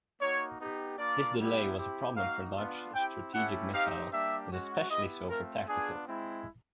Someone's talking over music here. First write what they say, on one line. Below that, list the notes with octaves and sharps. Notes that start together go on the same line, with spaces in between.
This delay was a problem for large strategic missiles, but especially so for tactical.
A#3 D#4 F#4 C#5
B3 D#4 G4
A#3 D4 F4 D5
G3 B3 E4 G4
C4 E4 G4
A#3 D#4 F#4 F5
B3 D4 F4
C4 E4 G4 G5
A3 C#4 E4 G4 F#5
C4 D#4 G4 F5
G3 A#3 D4 G4 E5
G#3 C#4 F#4
B3 E4 G4 D#5
A3 C4 F4 A#4
B3 D4 F4 G#4
G#3 C4 E4